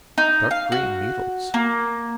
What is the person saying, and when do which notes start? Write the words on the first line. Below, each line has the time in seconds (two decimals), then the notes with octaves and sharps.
Dark-green needles!
0.18 D#4
0.51 F5
0.72 F#4
1.54 A#3